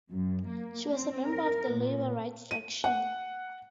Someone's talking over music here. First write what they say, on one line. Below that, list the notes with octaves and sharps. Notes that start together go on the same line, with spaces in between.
She was a member of the Labor Right faction.
F#2
A#3
C4
A#4
A#2
D#7
F#5